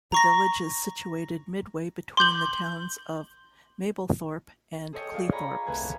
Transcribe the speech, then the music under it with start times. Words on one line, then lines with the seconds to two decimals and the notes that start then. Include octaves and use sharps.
The village is situated midway between the towns of Mablethorpe and Cleethorpes.
0.12 A#5 C#6 A#6
2.17 C6 D6 G6 F#7
4.93 G#4 A4 C5 C#5 D#5 G5
5.14 F4 G#4 D5 D#5 F5
5.32 C#5 G#5 A#5 B5 C#6
5.66 C2 A3 B4 G#5 G#6